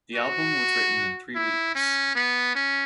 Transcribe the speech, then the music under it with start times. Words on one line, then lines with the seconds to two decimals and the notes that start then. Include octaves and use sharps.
The album was written in three weeks.
0.15 F#4
1.35 E4
1.75 C#4
2.15 B3
2.55 C#4